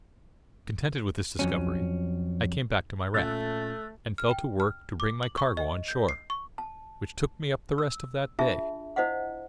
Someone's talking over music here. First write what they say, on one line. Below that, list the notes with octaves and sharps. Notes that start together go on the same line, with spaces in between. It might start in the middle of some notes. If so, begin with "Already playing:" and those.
Contented with this discovery, I came back to my raft, and fell to work to bring my cargo on shore, which took me up the rest of that day.
F2 F#3 C#4
A#2 A3 C#4 F4 E6 F#6 A6
F6
G5
F6
D6
F#7
C#6
D#5
G6
C7
C#6
A5
E6
D4 F4 G#4 E5 A5
E4 C5 D#5 F5 F#5